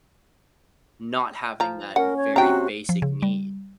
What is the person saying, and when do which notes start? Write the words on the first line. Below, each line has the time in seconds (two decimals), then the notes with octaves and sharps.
not having that very basic need.
1.60 F3 A#5
1.96 C#4 A#4 F#5
2.17 C#5
2.36 C3 F#4 G5 A#5
2.89 F3
3.02 C#3
3.22 G3